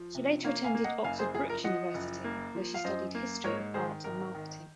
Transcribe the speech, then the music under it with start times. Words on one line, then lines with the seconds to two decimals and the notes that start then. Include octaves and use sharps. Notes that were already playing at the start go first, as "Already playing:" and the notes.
She later attended Oxford Brookes University, where she studied History of Art and Marketing.
Already playing: F3
0.15 C3
0.44 A#3 C#5 F5
0.64 F5 G#5
0.75 A#3
0.84 D#5 F#5
1.04 F#1 F5 G#5
1.19 G#4 C5
1.34 F3 G#4
1.50 A#4
1.64 F3 D#5 F#5
1.94 F#1
2.24 A#3
2.55 F3
2.74 F5
2.84 F#2 C5 D#5
3.15 A#3
3.44 G#2 A#4 C#5
3.74 D#3 G#4 C5
4.04 G#1 A#4
4.34 D#3